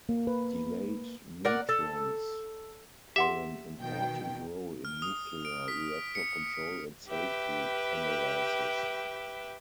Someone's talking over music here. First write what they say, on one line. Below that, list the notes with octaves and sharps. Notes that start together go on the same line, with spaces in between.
Delayed neutrons play an important role in nuclear reactor control and safety analysis.
A#3
B4
A#4 D5 F#5
A4
G4 E5 F#5 C6
B2 D#3 G5
F6
D#6
D7
B6
C#7
G4 B4 E5 G5